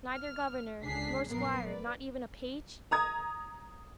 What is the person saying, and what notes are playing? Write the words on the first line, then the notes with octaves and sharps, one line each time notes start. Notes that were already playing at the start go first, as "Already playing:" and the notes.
Neither governor, nor squire, not even a page?'
F6
C#2 D3 D4 G#4 B6 C7
A#1 F#2 B3 A#4 B4 C7
B4 D5
A#5 D#6 G#6